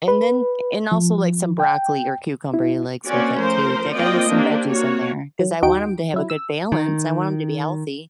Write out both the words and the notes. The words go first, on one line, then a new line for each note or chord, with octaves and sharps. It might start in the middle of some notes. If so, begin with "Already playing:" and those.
And then and also like some broccoli or cucumber he likes with it too. J I gotta make some veggies in there ‘cause I want him to have a good balance. I want him to be healthy.
B4
F3
G5
E4
A#3 C4 C#4 F#4 D5
F3 A3 A#4 C5
A#3 C4 F4 D5 D#5 G5
A#3 C4 D4 G4
A#3 F#4 C#5
F#3
D#2 D#4 F#4 G5 D7
F#3 E4
E6
D#3